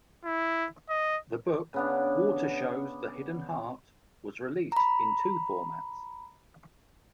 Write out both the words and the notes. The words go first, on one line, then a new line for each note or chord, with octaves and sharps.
The book "Water Shows the Hidden Heart" was released in two formats.
E4
D#5
C#3 B3 D4
A#5 B5